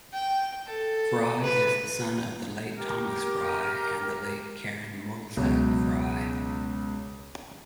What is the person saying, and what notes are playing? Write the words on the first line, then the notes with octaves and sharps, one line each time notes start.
Frye is the son of the late Thomas Frye and the late Karen Mulzac-Frye.
G5
A4
B4
G4 A#4
C#2 B2 F#3